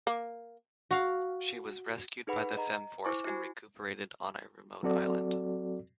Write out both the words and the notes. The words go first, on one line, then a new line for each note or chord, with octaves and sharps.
She was rescued by the Femforce and recuperated on a remote island.
A#3
F#4 F5
D#4 G#4 A4 B4 F#5 B5
D#5 A#5
E4 C5 G#5 C#6 D6
E4 F#4 G#5
F#3 C4 F#4 A4 D5